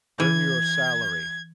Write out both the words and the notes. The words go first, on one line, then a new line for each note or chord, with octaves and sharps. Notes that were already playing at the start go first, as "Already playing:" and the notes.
"Earn your salary!"...
E3 G#6